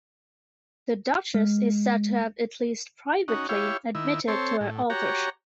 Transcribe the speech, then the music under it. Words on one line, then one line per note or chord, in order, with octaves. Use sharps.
The duchess is said to have at least privately admitted to her authorship.
G#3
C#4 D#4 F#4
E4 G4 C#5 F5
D#3 E4
C4 A4 C5 C#5
A2
F#4 G4 C#5 A#5